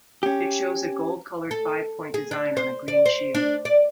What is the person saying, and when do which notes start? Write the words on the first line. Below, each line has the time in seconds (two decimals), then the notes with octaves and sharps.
It shows a gold-colored five point design on a green shield.
0.23 C#4 G4
1.51 A4
2.14 G#4
2.31 D4
2.57 C5
2.88 D5
3.06 C5
3.35 D4
3.65 D5